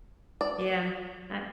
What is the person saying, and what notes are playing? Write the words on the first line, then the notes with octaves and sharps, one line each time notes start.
yeah, uh
D5